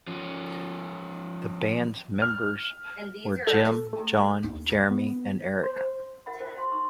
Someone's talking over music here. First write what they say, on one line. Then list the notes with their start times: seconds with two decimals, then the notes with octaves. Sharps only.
The band's members were Jim, John, Jeremy, and Eric.
0.07 F3 C#4
2.22 F6
3.47 A4
3.93 A3
4.44 D#2
4.91 B3
5.63 C5
6.26 F#4 A#4 E5 F#5 B5
6.40 F4 A#4 C5 E5 G5
6.58 F#4 B5 C6
6.72 D#4 A#5 C6 C#6 E6